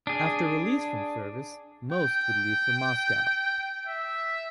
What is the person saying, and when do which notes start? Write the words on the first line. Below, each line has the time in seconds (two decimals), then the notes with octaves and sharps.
After release from service, most would leave for Moscow.
0.07 D4 G#4
1.91 G5
3.87 E5